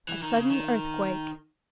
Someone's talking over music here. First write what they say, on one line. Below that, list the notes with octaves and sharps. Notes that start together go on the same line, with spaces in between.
A sudden earthquake.
E3
D#3
C#3
D#3